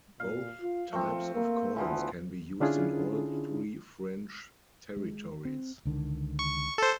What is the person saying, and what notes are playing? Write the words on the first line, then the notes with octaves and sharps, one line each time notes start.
Both types of coins can be used in all three French territories.
A#2 F5
F4
F3 A3 C4
A#3
D2 E3 F3 B3
D3 C#4 D4 E4 F4 G#4
G#3
C4
C#2 D3 D#3
C#6
A4 C5